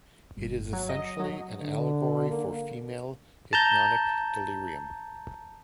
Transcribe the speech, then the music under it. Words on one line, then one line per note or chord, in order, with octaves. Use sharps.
It is essentially an allegory for female hypnotic delirium.
G1
F#3
D#5
F#3
D3
A#3
A5 A#5 G6